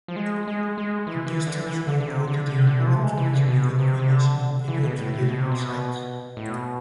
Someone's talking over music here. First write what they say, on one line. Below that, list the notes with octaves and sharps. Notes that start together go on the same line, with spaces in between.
The pistols were coated in an electroless nickel finish and featured traditional sights.
F3
G#3
G#3
G#3
E3
E3
D3
E3
D3
D3
C3
D3
D3
D3
E3
F3
A3
G#3
E3
D3
B2
C3
C3
D3
E3
B2
A2
A2
B2
C3
B2
A2
B2